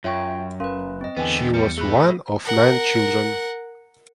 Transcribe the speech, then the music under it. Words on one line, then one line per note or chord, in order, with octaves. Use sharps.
She was one of nine children.
F#2 F4 C#5 E5 G5 C#6
F#1 C#4 A#4 B4 F5 C6
C4 D#5
E2 D3 B3 B4 G5 G#5
F3 G3 C#7
A3 G#4 B5 F#6
A#4 F#5